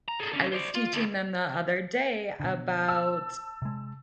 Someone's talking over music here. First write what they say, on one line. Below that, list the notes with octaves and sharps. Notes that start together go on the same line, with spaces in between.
I was teaching them the other day about
A#5
G#4 A4
D3 C#4
C5 D5
F4
D2 A2
B2 D3
A5 E6
C3 G#3